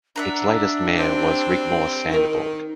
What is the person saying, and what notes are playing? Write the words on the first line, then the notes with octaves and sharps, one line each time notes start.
Its latest mayor was Rigmor Sandborg.
D4 E5 F#5 A#5
G3 C4
D#3 D#4 A#4